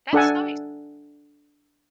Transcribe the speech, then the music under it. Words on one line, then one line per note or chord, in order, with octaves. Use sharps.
That's nice.
D4 A4 F#5 G#5